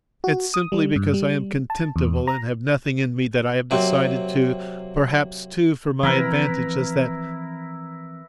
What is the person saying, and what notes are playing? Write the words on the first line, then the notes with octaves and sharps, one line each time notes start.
It's simply because I am contemptible and have nothing in me that I have decided to, perhaps too for my advantage, as that...
F#4
D#6
G3
G2
G3
A5
E2
A#5
C3 F#3 A#3 C4
E3 F3 C4 E4 A#4 B4